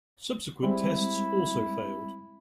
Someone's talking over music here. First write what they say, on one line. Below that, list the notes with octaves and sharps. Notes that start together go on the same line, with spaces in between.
Subsequent tests also failed.
G3 G#3 C4 E4